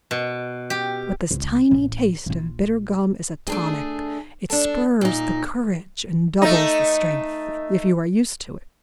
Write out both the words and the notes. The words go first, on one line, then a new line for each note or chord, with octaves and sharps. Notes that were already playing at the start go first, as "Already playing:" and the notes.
But this tiny taste of bitter gum is a tonic; it spurs the courage and doubles the strength--if you are used to it.
B2
G4
C#2
A1
A#1 F4
A3 D4 G#4
D4 A4
A#2 D#4
A3 D#4